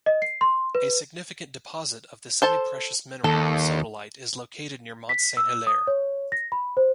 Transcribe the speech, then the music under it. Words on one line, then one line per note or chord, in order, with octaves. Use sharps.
A significant deposit of the semi-precious mineral sodalite is located near Mont-Saint-Hilaire.
D#5
C7
C6
B4
A4 C5 A5
D#2 A4
B6
E6
D#6
C#5
A#6
B5
C5